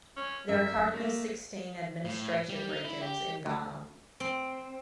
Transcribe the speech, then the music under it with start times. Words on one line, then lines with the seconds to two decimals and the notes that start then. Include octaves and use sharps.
There are currently sixteen administrative regions in Ghana.
0.17 C#4
0.49 F#2 E5
0.94 A3 A#3 A#6
2.05 A2
2.49 G3
2.69 D#4
2.84 E4
3.02 G4
3.46 D2
4.20 C4